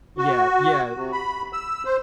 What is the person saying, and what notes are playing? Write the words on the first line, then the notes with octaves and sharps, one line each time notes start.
Yeah, yeah.
F#4
C3
B5
E6
C5